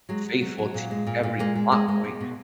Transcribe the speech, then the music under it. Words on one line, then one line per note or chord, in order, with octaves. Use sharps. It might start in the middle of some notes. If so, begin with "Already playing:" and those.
faithful to every plot point,
F#3 G#3
F#3
F#3
F#3
A#2
G#3
A#2
A#2
G#3 A#3
G#3
G#3
G#3
B2
B2